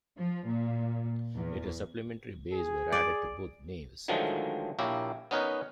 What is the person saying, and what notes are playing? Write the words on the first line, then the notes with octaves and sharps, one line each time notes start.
Later, supplementary bays were added to both naves.
F3
A#2
E2
G#4
D5
D3 D#3 F3 F#3 G#3 A3
A#1 A#3 E4 G4 C#5
B3 C#4 D#4 A#4 B4 C#5